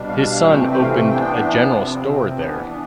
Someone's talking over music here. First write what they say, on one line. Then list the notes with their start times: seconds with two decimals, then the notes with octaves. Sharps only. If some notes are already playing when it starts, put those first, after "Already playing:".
His son opened a general store there.
Already playing: B2 G3 D4
0.08 F5
0.29 F5
0.49 C3 E3 A3 C4 G5
0.72 G5
0.81 F5
1.11 E3 B3 D4 G5
1.73 C3 F3 C4
2.35 E3 B3 D4